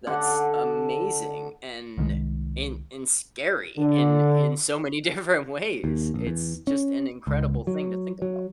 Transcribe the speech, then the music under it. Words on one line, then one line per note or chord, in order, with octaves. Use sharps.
That's amazing and and and scary in in so many different ways. It's just an incredible thing to think about.
D3 F#5
C2 D#3 F#3 G#3
D3
D#2
A#1
E2
C#4
C#2
F#3
F#3